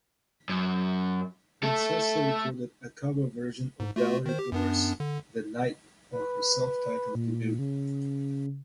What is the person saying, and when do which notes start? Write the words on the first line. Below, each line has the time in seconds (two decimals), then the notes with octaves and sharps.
Princessa recorded a cover version of Valerie Dore's "The Night" on her self-titled debut.
0.49 F#2
1.63 A3 A4
3.80 G#2
3.96 A3 F4 F#4
4.26 D#3 C5
4.39 G4
4.52 F#2 B3 D4
5.00 D3
6.12 B4
7.15 A#2
7.59 C#3